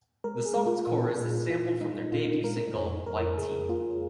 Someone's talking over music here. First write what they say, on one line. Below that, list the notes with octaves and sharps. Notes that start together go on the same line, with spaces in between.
The song's chorus is sampled from their debut single "White Tee".
G#3 A#4
G#4
G#3
F4
A#2
A#2
A#2 F4
G#3 D#4
A#2 F4
G#3 A#4
F2 C#5
F2 A#4
C#3 G#4
A#3 F4